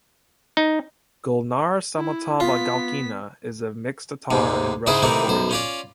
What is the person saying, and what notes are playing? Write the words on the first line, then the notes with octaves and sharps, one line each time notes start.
Gulnara Samitova-Galkina is of mixed Tatar and Russian origin.
D#4
E4
B3 F4 B6
D#2 G#2 C3
G#2 C#3 E4 G#4 C5 E5
C3 D#3 E3 A3 A#3 C4
B1 F#2 C5
C#4 F4 D5